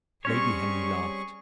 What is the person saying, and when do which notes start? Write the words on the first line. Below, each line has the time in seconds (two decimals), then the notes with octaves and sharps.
Lady Henry laughed.
0.25 G3 C4 C#4 G#4 C#5 C#6